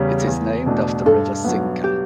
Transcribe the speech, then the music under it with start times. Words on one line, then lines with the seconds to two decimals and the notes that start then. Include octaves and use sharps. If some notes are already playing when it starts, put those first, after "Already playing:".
It is named after river Cinca.
Already playing: E2 C#3 G3 C#4
0.27 E2
0.66 B2 A3 D4
1.06 G2 A4
1.44 F#3 B3
1.84 G4